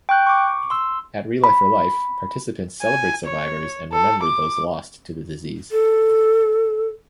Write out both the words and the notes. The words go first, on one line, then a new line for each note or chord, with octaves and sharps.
At Relay For Life, participants celebrate survivors and remember those lost to the disease.
G5 C#6 F#6 G6
C#6 D6
C6 E6
B5
G#5
C#5
A4
D6
A4